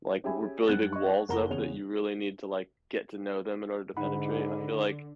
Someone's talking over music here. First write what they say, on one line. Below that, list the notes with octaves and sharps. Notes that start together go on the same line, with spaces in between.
like re really big walls up that you really need to, like, get to know them in order to penetrate. I feel like,
C#4 G4 G#4 E5 G#5 B5
F#2 F#3 G3 F#6 G#6 A6
D#5 C#6
F#1 A#3 A#4 F#5 A#5 G7
E2 C#3 G#4 C#5 F7
G#2 D3 D#4 F#5 B5